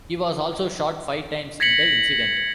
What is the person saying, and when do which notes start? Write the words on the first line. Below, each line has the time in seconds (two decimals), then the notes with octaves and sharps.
He was also shot five times in the incident.
1.60 G#6 A#6 B6 C#7 F#7